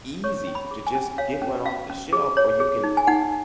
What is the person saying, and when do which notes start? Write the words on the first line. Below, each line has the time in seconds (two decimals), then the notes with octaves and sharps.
easy to just get one off the shelf or you can
0.24 C#5 C#6
0.47 C#4
0.55 B5
0.71 G#4
0.87 G#5
0.95 C#4
1.18 C#5 F5
1.42 C#4
1.65 C#4 F5
1.90 C#4
2.13 G#4
2.37 C#5
2.60 G#4
2.84 D#4
2.97 G#5
3.07 D#4 F#5